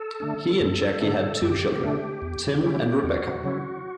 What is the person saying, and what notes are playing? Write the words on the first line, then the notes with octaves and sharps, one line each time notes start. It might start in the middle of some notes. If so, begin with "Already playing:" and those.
He and Jackie had two children, Tim and Rebecca.
Already playing: A4
D3 A3 D4
F#2
D3 A3 D4
F#2 G4
D3 A3 D4
E2
C#3 F#3 C#4 E4
E2 F#4
C#3 F#3 C#4 E4